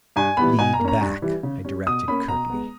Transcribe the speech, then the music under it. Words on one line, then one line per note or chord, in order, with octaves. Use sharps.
"Lead back," I directed curtly.
G2 G#5
E3 G3 B3 B5
B2 G#5
A#5
A#3
C#4 A#5
G2
E3 G3
C#3
G3 C#4
B2 D#6
A#3 C#4 B5
B2 A#5
G#3 B3